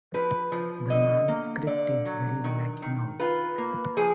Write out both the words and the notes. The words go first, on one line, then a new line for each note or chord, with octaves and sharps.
The manuscript is very lacunose.
F3 B4
F3
D3 D#5
A#3
D3 D5
F#3
D#3
D#3
F4 B4
A#3
F3 G#4